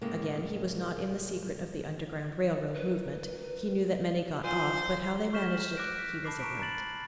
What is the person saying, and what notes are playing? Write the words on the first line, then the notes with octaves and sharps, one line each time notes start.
Again, he was not in the secret of the Underground Rail Road movement; he knew that many got off, but how they managed it he was ignorant.
A2 C#3 G#3 A#3
A#4 B4
F4 C5 G#5
C#6 F6 G6 B6 E7
D6 F#6 A#6 D7
B6
A5 B5 D6 C7
A#5 C#6 D6 B6 D7
A#5 B5 A6 F#7